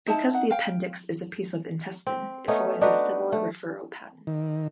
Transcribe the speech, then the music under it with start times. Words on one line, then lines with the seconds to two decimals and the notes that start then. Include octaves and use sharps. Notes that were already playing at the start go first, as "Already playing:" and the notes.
Because the appendix is a piece of intestine, it follows a similar referral pattern.
0.07 D#4 E4 A5
0.33 D#4 F#5
0.51 F5 G5
2.07 C4
2.48 A3 B3 C#4 D#4
2.81 D4 D#4 F#4 B4
3.32 A3
4.27 D#3